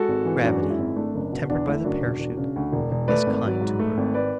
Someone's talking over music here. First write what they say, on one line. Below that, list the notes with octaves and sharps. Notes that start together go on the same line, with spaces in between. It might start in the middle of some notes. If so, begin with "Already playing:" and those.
Gravity, tempered by the parachute, is kind to her.
Already playing: G#3 F#4 A4
G#1
E3
F#2 D4 F#4
G#3
E4
G#1
A3 D4
F#1
B2
E2 D4
A3 E4
F#1 D4 F#4
E1
E1
C#3
D2
E1
E1
A3 B4 D5
G#1
F#3
G#2
A3
G#1
B4 D5